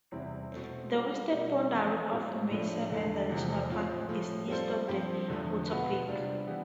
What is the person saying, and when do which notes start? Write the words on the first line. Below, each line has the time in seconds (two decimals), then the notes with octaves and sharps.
The western boundary of Mesa Verde National Park is east of Ute Peak.
0.12 E2 C3 G3 C4 E4
0.52 B2 A3 C4
0.91 G3 B3 F4 A4
1.31 B2 G3 D4
1.71 F2 E3 A3 C4
2.11 A2 G3 C4 F4
2.50 A2 F3 A3 D4
2.90 E2 D3 A3 E4 A4
3.30 E2 C3 F3
3.69 A2 F3 C4 F4
4.09 A2 F3 A3
4.48 G3 C4 F4 A4 C5
4.88 G2 F3 C4 G4 C5
5.28 E2 D3 F3 A3
5.67 B2 B3 F4 B4
6.07 C3 G3 D4 F4
6.47 E3 B3 D4 G4